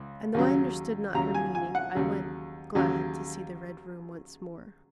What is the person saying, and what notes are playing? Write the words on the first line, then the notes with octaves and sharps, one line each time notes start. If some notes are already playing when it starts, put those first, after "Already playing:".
And, though I understood not her meaning, I went, glad to see the Red Room once more.
Already playing: C#2
D#2 C#3 F#3
D#2 C#3 F#3 A#5
G#5
G#5
F#5
D#2 C#3 F#3
D#2 C#3 F#3